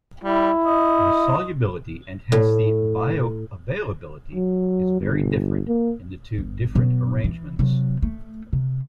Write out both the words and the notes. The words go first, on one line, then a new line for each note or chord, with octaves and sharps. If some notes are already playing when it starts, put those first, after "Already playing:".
The solubility and hence the bioavailability is very different in the two different arrangements.
G3 E4
D#5
A2
F#3
G1
A#3
G1
B2 F#3
E3
C3 F#3
A3
C3